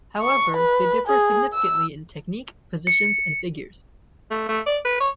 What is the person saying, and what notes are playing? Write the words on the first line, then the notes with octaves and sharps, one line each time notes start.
However, they differ significantly in technique, positions, and figures.
C#6
B4
G#4
E6
C#7
A3
A3
D5
B4
C#5